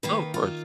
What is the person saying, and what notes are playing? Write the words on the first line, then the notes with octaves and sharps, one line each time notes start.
Oh, of course.
D#3 A#3 D#4 B4
F4